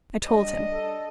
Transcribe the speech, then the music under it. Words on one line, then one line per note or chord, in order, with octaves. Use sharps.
I told him.
G3 D4 D#5
A4